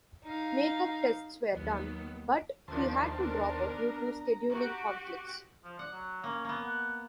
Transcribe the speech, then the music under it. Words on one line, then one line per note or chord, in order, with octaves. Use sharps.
Make-up tests were done, but he had to drop out due to scheduling conflicts.
D#4 F5
D#2 D#3 F#3 B3
D#2 D#3 F3 D4 C5 A5
B3 D4 A#4
A#5
F#4 G4
F3
D5 F#5
F#3
A#3 C#4
A#3 B3
F#5